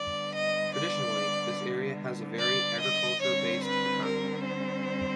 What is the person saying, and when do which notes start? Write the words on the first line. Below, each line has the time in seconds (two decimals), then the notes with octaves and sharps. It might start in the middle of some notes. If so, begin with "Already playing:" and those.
Traditionally, this area has a very agriculture-based economy.
Already playing: D3 G3 B3 D5
0.34 D#5
0.74 D5
2.40 D5
2.80 D#5
3.22 D3 G3 C4 C#5
3.63 B4
4.05 A#4
4.45 C5